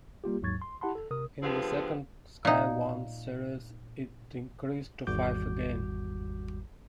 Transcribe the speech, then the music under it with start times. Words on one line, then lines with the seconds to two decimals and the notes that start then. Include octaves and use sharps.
In the second Sky One series, it increased to five again.
0.24 G3 A#3 F4 G4
0.42 D#2 G#2 F#3 C#6 G#6 A6
0.62 C6
0.81 E4 G4 F#5 A5 B5 C6
0.95 A4
1.11 C3 A#4 D#6
1.42 D3 F3 B3 C4 G4 G#4
2.45 A#2 D#4
5.07 G#1 E2 G3 F#4 D6 G6